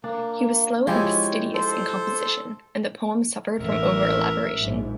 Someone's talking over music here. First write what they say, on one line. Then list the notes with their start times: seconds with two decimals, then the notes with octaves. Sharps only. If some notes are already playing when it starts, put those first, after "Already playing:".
He was slow and fastidious in composition, and the poem suffered from overelaboration.
0.04 A#3 D4
0.87 F3 G#3 E4 G4 C#5
1.53 A4 C5
3.60 A1 B2 A#4 E5
4.59 A#1 G#2